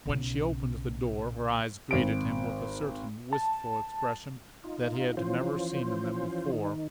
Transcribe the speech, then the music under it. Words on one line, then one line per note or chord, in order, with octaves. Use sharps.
When she opened the door her eyes greeted him with a certain wistful expression that he had never seen in them before.
B1 C#3
G#1 D7
A5
D#4 F4
E3 F3 C#4 F4 C5
D#3 D#4